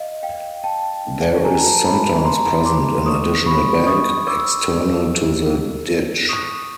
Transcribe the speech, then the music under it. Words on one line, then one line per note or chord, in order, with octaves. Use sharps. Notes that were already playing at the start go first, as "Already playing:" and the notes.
There is sometimes present an additional bank, external to the ditch.
Already playing: D#5 F5
F5 G5
G5 A5
G#5 A#5
A5
A#5
A5 B5
A#5 C6
C6 D6
C#6 D#6
B5 C#6
C#6 D#6
D6 E6
C#6 D#6